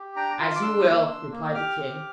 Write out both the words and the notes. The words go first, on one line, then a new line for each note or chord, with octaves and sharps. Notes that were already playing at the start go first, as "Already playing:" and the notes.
'As you will,' replied the king.
Already playing: G4
D4 G5 A#5
F4 A5 C6
D6
D4 C6 E6
A#3
D4
A#3
G4 D6 F6
C4